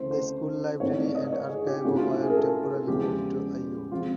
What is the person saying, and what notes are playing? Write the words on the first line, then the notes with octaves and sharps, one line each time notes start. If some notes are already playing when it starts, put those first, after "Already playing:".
The school library and archive were temporarily moved to Aiud.
Already playing: D2 C#3 E3 A3 C5
C5
G#2 E3 A3 C4 C#5
C#5
D5
D#5
C#5
G#4
G4
G#2 E3 A3 C#4 F#4
F4
E4
G#4
A#4
A4
G#4
E2 C#3 F3 G#3 G4
C3 F3 G#3 F4